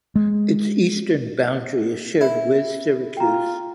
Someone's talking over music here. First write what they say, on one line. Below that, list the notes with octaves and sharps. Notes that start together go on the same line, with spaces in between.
Its eastern boundary is shared with Syracuse.
G#3
E4
F4 G5 A#5